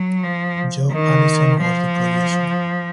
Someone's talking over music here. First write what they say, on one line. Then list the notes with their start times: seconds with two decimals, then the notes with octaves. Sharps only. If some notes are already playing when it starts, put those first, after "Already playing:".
Joe Allison was the producer.
Already playing: F#3
0.23 F3
0.92 D#3
1.61 F3